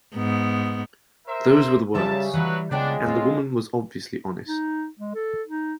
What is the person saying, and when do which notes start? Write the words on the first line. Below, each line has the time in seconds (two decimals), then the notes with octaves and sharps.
Those were the words, and the woman was obviously honest.
0.16 G#2 B3
1.27 A#4 C5 E5
1.95 F#2 C#3 G3 E5 A5
2.33 B2 E3 F#3 G3 B4
2.71 C#2 C#3 G#3 B3 D4 G5
3.06 C4 F4
4.48 D#4
4.99 G#3
5.15 A4
5.48 D#4